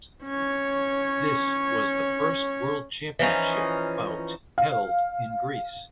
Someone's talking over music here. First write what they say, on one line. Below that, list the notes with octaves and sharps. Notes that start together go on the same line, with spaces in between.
This was the first world championship bout held in Greece.
C#4 C#5
E3 F3 C#4 D#4
F5